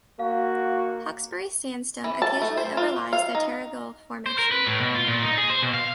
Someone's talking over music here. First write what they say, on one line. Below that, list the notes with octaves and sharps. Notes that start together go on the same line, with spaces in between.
Hawkesbury Sandstone occasionally overlies the Terrigal Formation.
A#3 F#4 F5
E3
A5
A3
C5
F4
F5
D#4
C5
A#4
B4
A2
B2
F4
A#2
D#4
G#4
C5
B2
F5